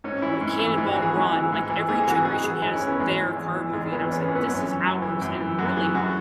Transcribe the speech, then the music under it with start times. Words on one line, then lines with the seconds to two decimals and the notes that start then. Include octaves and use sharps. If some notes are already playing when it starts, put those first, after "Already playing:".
uh, Cannonball Run, like every generation has their car movie, and I was like, "This is ours." And it really
0.04 G#2 C#4
0.22 E3 E4
0.41 G#2
0.59 E3
0.77 G#2 E4
0.91 F#4
0.96 E3
1.02 G#4
1.15 G#2
1.33 E3
1.52 G#2
1.70 E3
1.89 G#2 G#4
2.03 G#4
2.08 E3 F#4
2.25 G#2 G#4
2.44 E3 G#4
2.62 G#2 E4
2.75 C#4
2.81 E3
2.87 B3
2.99 E2 G#3
3.18 E3
3.37 E2
3.55 E3
3.73 E2 G#3
3.91 E3 B3
4.10 E2 C#4
4.22 B3
4.29 E3
4.35 B3
4.47 F#2 C#4
4.65 E3
4.85 F#2
5.02 E3
5.21 F#2
5.40 E3
5.58 F#2 F#4
5.76 E3 G#4
5.95 F#2 F#4